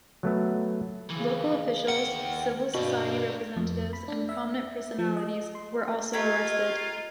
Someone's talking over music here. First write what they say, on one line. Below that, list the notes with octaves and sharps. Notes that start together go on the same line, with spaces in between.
Local officials, civil society representatives and prominent personalities were also arrested.
F#3 A3 B3
D#2 C#3 E3
D#2 F#5 G5
G2 B2 B4 D5
F2
B5
D4
E5
F3
D#5
C6
A3 F4 G4 A#4 D#5 G#6